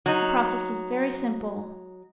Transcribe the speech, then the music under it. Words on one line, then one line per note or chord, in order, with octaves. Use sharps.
The process is very simple.
F#3 D#4